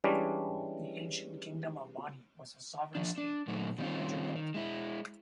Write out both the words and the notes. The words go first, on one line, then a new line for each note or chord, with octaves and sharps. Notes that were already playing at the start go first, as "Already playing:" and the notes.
The Ancient Kingdom of Bonny was a sovereign state of the Niger-Delta.
E3 G3 G#3 C#4 D4
F3 D4
D4
A#2 F#3 A3 D#4
D#3 G3 A3 C4 C#4 F4
D#3
G#3 E4